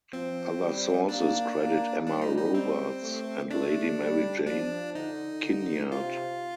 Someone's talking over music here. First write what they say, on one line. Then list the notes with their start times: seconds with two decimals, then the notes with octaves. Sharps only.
Other sources credit Emma Robarts and Lady Mary Jane Kinnaird.
0.13 F3 C4
0.61 G3
1.09 A#3 D4
1.58 A#3
2.06 G3 D4
2.21 D#4
2.38 D#4
2.55 C4
3.02 A3
3.51 A3 D4
3.99 G3
4.47 F3 D4
4.95 D3 D#4
5.43 D3
5.91 C3 F4